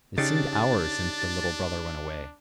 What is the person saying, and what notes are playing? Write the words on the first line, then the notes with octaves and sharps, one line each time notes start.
It seemed hours since the little brother went away.
C#3 D4 D#4 G4 A6